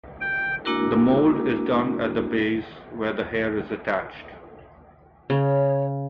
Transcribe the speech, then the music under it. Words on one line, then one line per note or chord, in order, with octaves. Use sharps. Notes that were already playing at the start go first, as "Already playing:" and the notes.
The mold is done at the base where the hair is attached.
G5
G#3 A#3 D4 E4 F#4 A#4
C#3 C#5